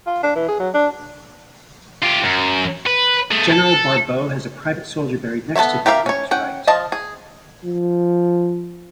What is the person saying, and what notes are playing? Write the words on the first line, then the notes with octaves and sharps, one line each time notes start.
General Barbot has a private soldier buried next to him, on his right.
F4
D4
E3
G#4
F#3
D4
F4 G4
F#2
B4
A3 G#4
A4
B3 A4 C5 C#5 E5
G4 A#4 E5 F5
C#4 C#5
C#4 F#5 G5
F3 D#5 F5 A5
G#4
F3